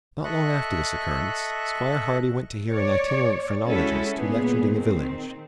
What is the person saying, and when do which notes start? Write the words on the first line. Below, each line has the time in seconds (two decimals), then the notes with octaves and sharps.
Not long after this occurrence, Squire Hardy went to hear an itinerant phrenologist who lectured in the village.
0.24 A4 D#5 E5 C#6 F#6
2.70 C#5 D5
3.67 G#3 C#4 E4 F#4 A4
4.13 A#2 D3 B3 G#4
4.70 D#3 C4